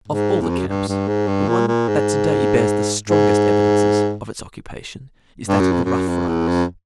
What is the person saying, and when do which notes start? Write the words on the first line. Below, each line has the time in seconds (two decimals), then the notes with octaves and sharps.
Of all the camps, the one that to-day bears the strongest evidences of its occupation is that of the Rough Riders.
0.08 G#2
0.40 E2
0.49 F2
0.58 F#2
0.68 G2
0.88 G2
1.08 G#2
1.27 G2
1.48 A#2
1.67 A#2
1.88 G#2
3.08 G#2
5.48 G2
5.60 F#2
5.72 F2
5.84 F#2
6.08 F2
6.28 E2
6.47 F2